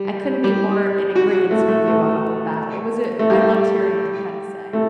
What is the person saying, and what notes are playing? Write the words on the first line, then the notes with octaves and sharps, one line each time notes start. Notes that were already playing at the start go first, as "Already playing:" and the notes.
I couldn't be more in agreeance with you on all of that, it was a I loved hearing what you had to say.
Already playing: G3
G3
F#4
F#4
A3
A3
A3
A3
G3
A3